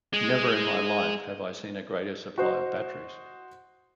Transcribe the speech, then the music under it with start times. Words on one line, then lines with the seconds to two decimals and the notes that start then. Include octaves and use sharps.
Never in my life have I seen a greater supply of batteries.
0.13 G#3
2.38 F#4 C5 D#5